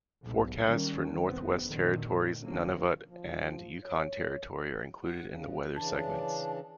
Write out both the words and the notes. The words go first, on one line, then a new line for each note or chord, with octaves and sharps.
Forecasts for Northwest Territories, Nunavut, and Yukon Territory are included in the weather segments.
B1 G#2
D#3 G3 A#3 C#4
F1 B3 C4
A#2 D3 D#3 F#3 A3
D3 D#3 F3 F#3 A#3 C#4
F3
C#5
F#5
C#3
C#3 E3 D4 A5